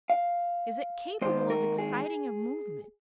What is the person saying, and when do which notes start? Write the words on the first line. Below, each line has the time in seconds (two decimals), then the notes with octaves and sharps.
Is it capable of exciting a movement?
0.10 F5
1.21 D#2 D#3 G#3 C5
1.50 A#4
1.78 G#4